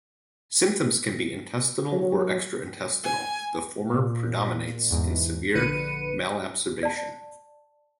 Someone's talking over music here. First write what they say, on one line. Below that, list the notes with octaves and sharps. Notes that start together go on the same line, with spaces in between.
Symptoms can be intestinal or extra-intestinal - the former predominates in severe malabsorption.
F#3
G#5
A#2
E2 G#2
A#1 D3 B4 C#7 D#7
D5 A5